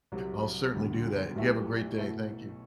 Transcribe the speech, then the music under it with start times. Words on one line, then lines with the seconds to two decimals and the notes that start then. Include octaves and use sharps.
I'll certainly do that, and you have a great day, thank you.
0.12 C2 C3 F#3
0.73 E1 D2 D3 G3
1.35 B1 B2 A3 E4 G4
1.97 B2 A3 E4